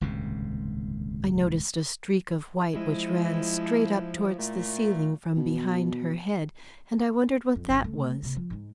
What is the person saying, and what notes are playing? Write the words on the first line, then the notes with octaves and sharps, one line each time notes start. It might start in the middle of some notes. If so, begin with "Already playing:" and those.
I noticed a streak of white which ran straight up towards the ceiling from behind her head, and I wondered what that was.
D#1 C#2 G#2 C3
F3 G#3 E4
A#2 A3
B2
F2
G#1 D#3
C#3 A3
C3 A#3
F3
G#2 G#3